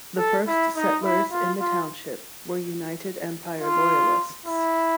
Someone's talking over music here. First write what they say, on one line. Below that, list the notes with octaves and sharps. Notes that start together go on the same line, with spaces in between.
The first settlers in the township were United Empire Loyalists.
A4
E4
D#4
E4
F4
F4
F4
E4